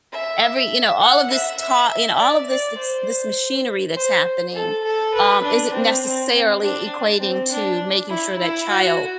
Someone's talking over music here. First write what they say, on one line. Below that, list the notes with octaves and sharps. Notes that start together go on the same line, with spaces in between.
Every you know, all of this taught you know, all of this this machinery that's happening, um, isn't necessarily equating to making sure that child
E5
F#5
E5
E5
E5
D5
D5
C5
C5
A4
A4
B4
D4
C4
C4
C4
D4
C4
D4
E4
E4
F#4